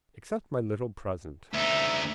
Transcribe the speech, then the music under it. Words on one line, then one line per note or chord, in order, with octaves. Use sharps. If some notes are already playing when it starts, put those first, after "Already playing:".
Accept my little present.
D2 D#4 E5